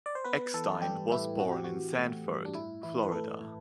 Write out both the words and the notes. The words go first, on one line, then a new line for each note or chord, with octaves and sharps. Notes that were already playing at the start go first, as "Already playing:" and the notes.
Eckstein was born in Sanford, Florida.
D5
C5
B3 B4
E3 A4
G3 G4
A2 E4
C4 F#4
G4
E3 F#4
A3
G2
D4
A2 E4
E3 E4
B4
A3 A4
A2